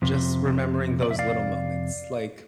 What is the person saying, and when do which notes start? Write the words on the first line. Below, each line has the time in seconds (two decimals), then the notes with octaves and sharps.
just remembering those little moments, like
0.02 F2 C3
1.02 D5
1.11 E5
1.19 D5 F5